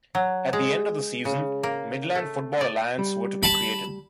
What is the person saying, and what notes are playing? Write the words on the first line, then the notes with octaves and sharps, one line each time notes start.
At the end of the season Midland Football Alliance were to be created.
F#3
G#3
C#3
A#3
A3
D5
G3
A5 B5